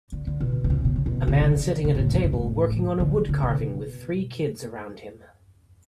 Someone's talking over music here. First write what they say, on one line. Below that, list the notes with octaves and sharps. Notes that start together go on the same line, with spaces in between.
A man sitting at a table working on a wood carving with three kids around him.
D3
D3
B2
D3
C#3
B2
C#3
B2
C#3
D3
C#3
G#2
A2
G#2
F#2
A2
D3
D3
C#3
B2